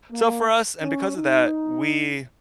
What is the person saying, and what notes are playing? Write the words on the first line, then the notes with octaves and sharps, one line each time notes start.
So for us, and because of that, we
A#3
C#4
D#4